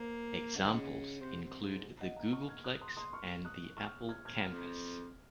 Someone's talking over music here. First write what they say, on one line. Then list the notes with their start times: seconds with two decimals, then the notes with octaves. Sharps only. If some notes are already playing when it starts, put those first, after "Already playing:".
Examples include the Googleplex and the Apple Campus.
Already playing: A#3 C5
0.56 C#3 D#5 F#5
0.64 D#3
0.71 C#3
1.20 C3
1.42 C3
1.63 G#2
2.00 D#5 F#5
2.16 F#5 A#5
2.33 C#6 F6
2.49 F6 G#6
2.64 D#6 F#6
2.81 C6 D#6
2.97 C6 D#6
3.13 C#6 F6
3.45 D#6 F#6
3.77 C#6 F6
4.09 F6 G#6
4.25 F6 G#6
4.41 F2 F6 G#6